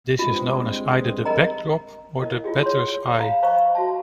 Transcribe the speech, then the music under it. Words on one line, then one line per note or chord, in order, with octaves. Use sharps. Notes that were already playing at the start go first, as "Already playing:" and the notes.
This is known as either the "Backdrop" or the Batter's eye.
G2 G#3 C4 F4
A#4 D#5 A#5
E4 A#4 D#5
E4 F4 G4 G#4
C#5 C6
F5 A#5 B5
C5 D#5 F5 A#5 B5 C#6
F#4 E5 A5